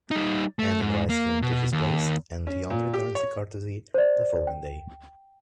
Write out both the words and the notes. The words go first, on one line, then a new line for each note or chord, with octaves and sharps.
An invites him to his place and Yuan returns the courtesy the following day.
G3 D#4
A3
G#2
A#3
B2
D#2
C#4
A#2
G4
C#5
C5 D5
G5